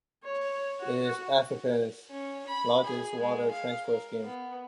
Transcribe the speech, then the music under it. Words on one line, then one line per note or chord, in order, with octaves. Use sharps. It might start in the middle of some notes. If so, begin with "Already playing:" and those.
It is Africa's largest water transfer scheme.
C#5
F#4
C#4
B5
G#4
G#3
F5
A#4
B3